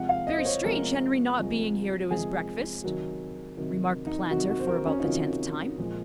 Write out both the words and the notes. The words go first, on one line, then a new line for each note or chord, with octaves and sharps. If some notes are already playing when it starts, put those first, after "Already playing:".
"Very strange Henry not being here to his breakfast!" remarked the planter, for about the tenth time.
Already playing: C3 F3 G#3 F#5
F5
D#5
C5
C#5
C3 F3 G#3 A#4
C3 F3 G#3
C3 F3 G#3 G#4
C3 D#3 F#3
C3 D#3 F#3
D#4
C3 D#3 F#3 F#4
F#4
C5
A#4
C#4
D#4
C3 D#3 F#3 F4
A#2 F3 G#3